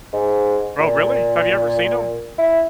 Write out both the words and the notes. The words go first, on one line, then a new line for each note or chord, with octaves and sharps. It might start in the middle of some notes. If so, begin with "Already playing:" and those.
Oh, really? Have you ever seen 'em?
G#2
A#2
E4